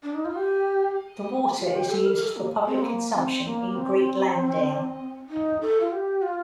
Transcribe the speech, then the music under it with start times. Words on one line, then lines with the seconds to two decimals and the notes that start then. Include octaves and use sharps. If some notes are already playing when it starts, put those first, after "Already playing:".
The water is used for public consumption in Great Langdale.
0.03 D4
0.14 D#4
0.25 F4
0.36 G4
1.59 F4
1.76 G4
1.87 G4
1.91 A4
2.05 A#4
2.16 A#4
2.22 A4
2.36 A#3
2.68 C4
2.82 A#3
3.14 C4
3.45 A#3
3.75 C4
5.29 D#4
5.61 A4
5.80 F4
5.92 G4
6.22 F4